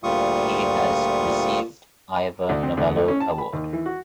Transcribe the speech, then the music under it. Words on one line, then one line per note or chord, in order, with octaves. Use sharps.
He has received Ivor Novello Award.
D2 A#2 G3 F4 C#6 D#6
D2
C4
D2
A3
C#4
A5
B5
D#2
E3
F#4